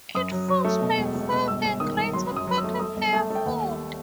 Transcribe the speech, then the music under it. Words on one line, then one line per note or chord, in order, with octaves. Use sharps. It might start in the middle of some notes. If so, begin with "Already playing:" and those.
It forms by far the greater part of their food.
F#2 D#6
F#3
F#3
A3
B2
E1
B2
B2
G1 E6
G1
D#3 D#6
G1
F#3 C6
F#2
D#6
F#3
E6
A3
A3 D#6
G1
A3 A5
A3
G5
D#2 F#5
G3